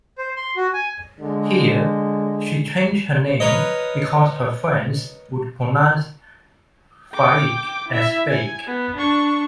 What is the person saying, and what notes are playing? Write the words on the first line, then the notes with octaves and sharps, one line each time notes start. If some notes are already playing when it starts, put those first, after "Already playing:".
Here, she changed her name because her friends would pronounce "Phaik" as "fake".
C5
C6
F#4
G#5
D3 G#3
A#4 B4 C#5 D#5
G5 D6
E4 E5
G#5
B3
D4 C#6